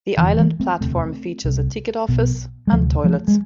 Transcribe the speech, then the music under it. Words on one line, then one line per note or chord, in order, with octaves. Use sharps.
The island platform features a ticket office and toilets.
F1 E2 D3 E3
E3 G#3
A3 C4
E1 D2 C3 A3 C4
C2 C3
B1 B2
G#3
D2 C3 F3 A3
F3 A3
G#3